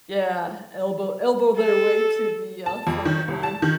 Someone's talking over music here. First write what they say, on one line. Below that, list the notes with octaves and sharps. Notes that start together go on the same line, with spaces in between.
Yeah. Elbow elbow their way to the, uh, front of the line.
A4
A5
F2
D#3
C2
A5
D#3